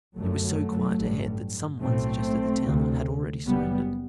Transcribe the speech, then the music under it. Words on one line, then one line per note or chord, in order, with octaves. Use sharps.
It was so quiet ahead that some one suggested the town had already surrendered.
G1 F#2 F#3 A3
A1 G2
B1 A2 A3 C4
D2 C3
F#1 F#2 G3 B3